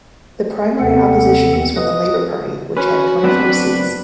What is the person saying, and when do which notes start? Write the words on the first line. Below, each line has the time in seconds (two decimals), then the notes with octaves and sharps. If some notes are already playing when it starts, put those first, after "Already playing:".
The primary opposition was from the Labour Party, which had twenty-four seats.
0.79 D#2 C3 B3 C4 A4 F#5
1.76 B4 D#5 D#6
2.77 C#4 F#4 B4
3.23 F#2 B3 C4 D4 B4